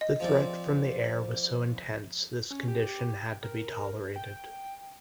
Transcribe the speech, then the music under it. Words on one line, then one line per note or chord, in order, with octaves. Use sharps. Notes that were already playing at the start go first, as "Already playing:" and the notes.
The threat from the air was so intense this condition had to be tolerated.
D#5
F3 C4 D5
C#4
G4
G5
A#4
G5